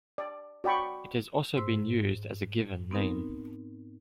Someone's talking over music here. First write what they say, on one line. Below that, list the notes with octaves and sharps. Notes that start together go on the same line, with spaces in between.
It has also been used as a given name.
D5
F#4 D5 G5 B5 C#6
G#2 C5 C6 E6
B3 C4 D#4 A#4